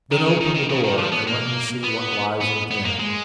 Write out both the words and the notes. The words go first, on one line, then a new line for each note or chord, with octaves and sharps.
"Then open the door, and let me see what lies within."
D#3
C#3
D#3
D#3
C#3
D#3
F3
B3
A#3
B3
B3
B3
A#3
G#3